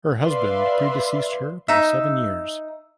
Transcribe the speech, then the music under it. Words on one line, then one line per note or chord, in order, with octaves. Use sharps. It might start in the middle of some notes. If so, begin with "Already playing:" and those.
Her husband predeceased her by seven years.
B4 D5 E5 F5 C6
D#4 E5